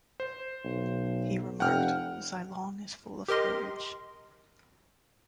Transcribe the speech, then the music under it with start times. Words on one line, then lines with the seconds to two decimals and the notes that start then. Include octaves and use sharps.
He remarked, Zilong is full of courage.
0.20 C5
0.64 B1
1.60 F1 F#5 G5 F6
3.28 G4 A#4 D#5 C6